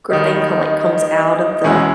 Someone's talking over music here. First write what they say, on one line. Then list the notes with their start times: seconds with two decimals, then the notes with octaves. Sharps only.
thing come, like, comes out of the
0.10 D#2 D#3 G3 D#5
1.64 E2 B2 G#3 C#4 E4